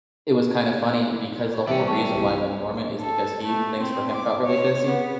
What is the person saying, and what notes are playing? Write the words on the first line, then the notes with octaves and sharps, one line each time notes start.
it was kinda funny because the whole reason why I went dormant is because he things for him got really busy.
E4
C#5
E3 G3 C#4 D5 E5
G5 A5 C#6
C2 C3
A4
A3
C4
D6
C#5
B3